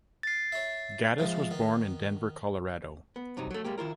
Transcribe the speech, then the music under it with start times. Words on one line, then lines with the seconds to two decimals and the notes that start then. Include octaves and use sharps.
Gaddis was born in Denver, Colorado.
0.23 A6 C7
0.52 C#5 E5
1.18 C3 F3 G#3
1.51 D#3 B3
3.16 B3
3.37 G2 C3 F#3 D#4
3.51 F#3 A3
3.64 G3 G#3 A#3 G4
3.78 D#3 E4 F4 A#4